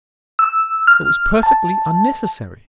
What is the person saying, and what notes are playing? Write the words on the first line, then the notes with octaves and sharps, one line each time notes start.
It was perfectly unnecessary.
E6
F6
A5